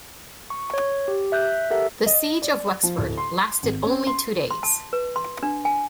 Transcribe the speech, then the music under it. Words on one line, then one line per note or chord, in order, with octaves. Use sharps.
The Siege of Wexford lasted only two days.
C#6
C#5
G4
E5 F#6 G6
G4 A4 A#4 E5 F#5
D#5
D5
F3
D1
C6
G#1
C#4
C6
C6
A5
B4
C6
D4
G#5